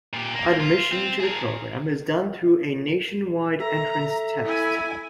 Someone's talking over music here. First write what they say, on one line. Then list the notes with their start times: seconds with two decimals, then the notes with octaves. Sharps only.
Admission to the program is done through a nationwide entrance test.
0.13 A#2 G4
0.34 A#3
0.60 F4
0.92 C4
1.20 G#4 A#4
3.60 A4 E5 A#5
4.45 E4 G#5